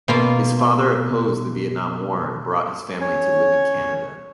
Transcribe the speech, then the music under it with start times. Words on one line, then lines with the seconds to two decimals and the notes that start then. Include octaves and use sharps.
His father opposed the Vietnam War and brought his family to live in Canada.
0.08 B2 A#3 F4
3.01 C#4 C#5